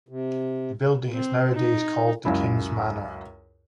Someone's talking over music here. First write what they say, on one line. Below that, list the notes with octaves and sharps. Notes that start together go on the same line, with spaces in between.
The building is nowadays called the King's Manor.
C3
C4
D#4
C#2 F#2 E4